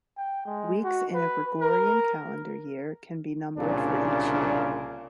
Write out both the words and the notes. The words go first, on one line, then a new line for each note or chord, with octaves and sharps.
Weeks in a Gregorian calendar year can be numbered for each year.
G5
G#3
F#4
B4
A#4
C2 A#2 C#3 D4 F4